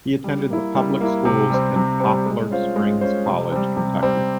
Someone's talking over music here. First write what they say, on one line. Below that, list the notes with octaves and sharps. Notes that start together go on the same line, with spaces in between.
He attended the public schools and Poplar Springs College, Kentucky.
G3
A#3 E4
G3
A#3 E4
C3
G3 C4
C3
G3 C4
G#3
C#4 F4 C5
G#3
C#4 F4 C5
C3
G3 C4
C3
G3 C4